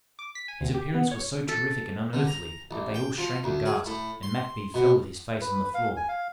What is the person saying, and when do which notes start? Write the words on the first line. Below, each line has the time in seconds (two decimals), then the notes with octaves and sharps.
His appearance was so terrific and unearthly that they all shrank aghast, and Mat Bee fell with his face on the floor.
0.19 D6
0.35 B6
0.48 G#5
0.61 D2
0.74 G4
0.95 B3
1.11 C#5
1.48 A4
2.13 D3
2.27 A#5
2.71 A1
2.94 G5
3.18 F3
3.44 D2
3.66 G#4
3.86 A2
4.23 C6
4.74 B2
5.41 B4
5.74 F5
5.96 G#5
6.08 F5